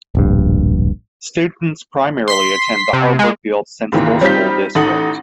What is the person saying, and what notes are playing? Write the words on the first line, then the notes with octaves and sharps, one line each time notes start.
Students primarily attend the Harborfields Central School District.
D1 A#1 G2
C6 B6
C3
G#3
C#2 G#2 C3 D#3 E3 A#3
G3 C4 D#4 F4 G6 B6
A1 D#4 A4 F#5 D#6 F#7